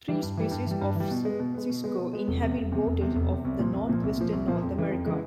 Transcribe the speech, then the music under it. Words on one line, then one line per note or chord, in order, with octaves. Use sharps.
Three species of cisco inhabit waters of the northwestern North America.
E3 G3
G2
E3 G3
G2
E3 G3
G2
E3 G3
B2
G#3 B3
B2
G#3 B3
B2
G#3 B3
B2
G#3 B3
F1
E2 C3
F1
E2 C3
F1
E2 C3
F1
E2 C3
C2
A#2 F3 A#3
C2
A#2 F3 A#3
C2
A#2 F3 A#3
C2
A#2 F3 A#3
F2
C#3 E3 G#3
F2
C#3 E3 G#3